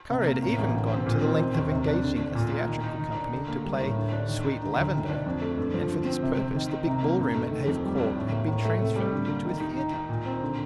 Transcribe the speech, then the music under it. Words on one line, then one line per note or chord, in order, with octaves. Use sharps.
Kara had even gone to the length of engaging a theatrical company to play "Sweet Lavender," and for this purpose the big ballroom at Hever Court had been transformed into a theatre.
C3
A#3
A2
A1
D3
C4
A#2
C4
D#3
D#2
C3
D4
D3
D4
A#2
A#3
D#3
D#4
D#3
D4
D3
A#3
G3
A2
D3
D4
D#3
D#4
D3
D2
D#3
D4
F2
A3
G2
F3
D3
C4
C3
C4
D#3
D#4
C3
A#3
G2
A3
D#3
F2
G3
D4
A2
A#3
A2
A3
C3
G3
D3
A#3
D#3
D#4
D#3
D#4
A#2
C4
D3